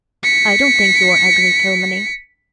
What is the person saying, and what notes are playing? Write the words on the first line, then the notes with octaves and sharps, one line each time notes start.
"I don't think you are ugly, Kilmeny."
B6 C#7